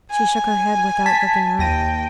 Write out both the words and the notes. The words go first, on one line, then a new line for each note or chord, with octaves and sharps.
She shook her head without looking up.
G#5
A5 G#6 B6
D#2 G5 A#6 D#7